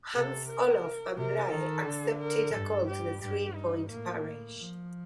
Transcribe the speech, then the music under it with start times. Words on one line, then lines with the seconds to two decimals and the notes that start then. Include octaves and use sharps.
Hans Olof Andrae accepted a call to the three-point parish.
0.14 C3 A4
0.49 A#4
1.16 C3 A#4
1.51 D#3 A4
1.85 D3
2.19 A#4
2.53 G2 A4
2.87 G4
3.22 G2 G4
3.55 D#4
3.90 A2 A#3
4.59 F3